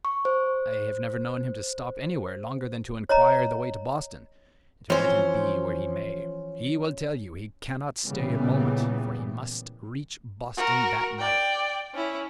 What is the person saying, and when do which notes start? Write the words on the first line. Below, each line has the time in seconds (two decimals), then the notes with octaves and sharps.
"I have never known him to stop anywhere longer than to inquire the way to Boston; and, let him be where he may, he will tell you he cannot stay a moment, for he must reach Boston that night."
0.05 C#6
0.25 C5
3.09 C#5 D#5 A#5
4.90 E3 F3 C4 C#4 C5
8.06 A#2 C#3 E3 G3 B3
10.57 F#4 A#4
11.19 D5 G5
11.94 C#4 E4